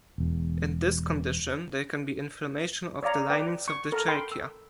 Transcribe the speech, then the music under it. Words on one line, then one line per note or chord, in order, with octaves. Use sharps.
In this condition there can be inflammation of the linings of the trachea.
E1 E2
C#5 D5 F5 A#5
B4 D5 G5
C#6
A4 A#4
G5 B5 C6
E6